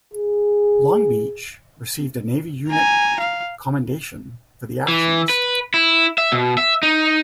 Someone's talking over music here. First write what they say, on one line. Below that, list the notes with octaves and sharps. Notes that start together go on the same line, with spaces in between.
"Long Beach" received a Navy Unit Commendation for the actions.
G#4
G#5 A#5
F5
E3
B4
E4
E5
B2
E5
D#4